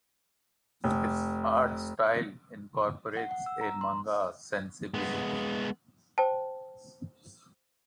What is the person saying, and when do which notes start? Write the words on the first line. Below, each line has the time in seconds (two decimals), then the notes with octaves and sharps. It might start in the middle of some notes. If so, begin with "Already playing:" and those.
His art style incorporates a manga sensibility.
0.84 F1
3.17 F#5
3.31 F#5
3.46 E6
3.61 A#5
3.81 C6
4.94 G#3 B3
6.18 C5 G5 A5